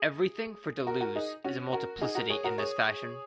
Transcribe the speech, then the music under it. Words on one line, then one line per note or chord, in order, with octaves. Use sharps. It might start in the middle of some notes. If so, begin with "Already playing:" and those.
Everything for Deleuze is a multiplicity in this fashion.
Already playing: G#4
F#4 A#4
F#4 A#4
D#4 G#4
C#4 F#4
F#4 A#4
D#4 G#4
F#4 A#4
G#4 C#5
F#4 A#4
G#4 C#5